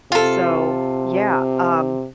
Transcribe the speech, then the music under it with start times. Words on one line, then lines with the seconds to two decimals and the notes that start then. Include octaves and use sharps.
So, yeah, um
0.12 C3 F4 A4